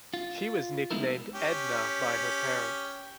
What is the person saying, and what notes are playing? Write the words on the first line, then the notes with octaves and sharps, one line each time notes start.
She was nicknamed Edna by her parents.
F4
G#3 B3 D#4 E4 A#4
C#4 G4